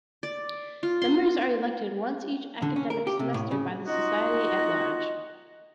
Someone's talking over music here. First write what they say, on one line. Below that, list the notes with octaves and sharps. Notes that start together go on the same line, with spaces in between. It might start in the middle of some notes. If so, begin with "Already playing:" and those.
Members are elected once each academic semester by the Society at large.
D5
F4
C6
D3
C#4
A#4
G4
C3
A2
C#3
D#4 F4 F#4 D#5